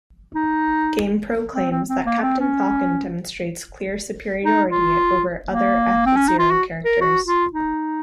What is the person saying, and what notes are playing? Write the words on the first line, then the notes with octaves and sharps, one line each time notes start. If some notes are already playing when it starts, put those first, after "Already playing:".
GamePro claims that Captain Falcon demonstrates "clear superiority" over other F-Zero characters.
D#4
C4
C4
C4
A#3
C4
C#4
D#4
F4
A#3
C4
C#4
D#4
F4
F#4
A#4
F#4
F4
D#4